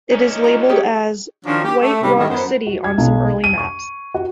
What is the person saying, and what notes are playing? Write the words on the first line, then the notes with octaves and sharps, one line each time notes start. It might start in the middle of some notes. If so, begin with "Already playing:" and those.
It is labelled as "White Rock City" on some early maps.
C#4 D#4
F4 A#5
G4 G#4
D#3 F3 F#3 C#4 D4
G4
A3
G#2 C3 G3 C4
G#2 D#3 G3 A3 E4 D#5
F#2 B3 C5
F#4
G#6
B1
D#7
C#6
F#4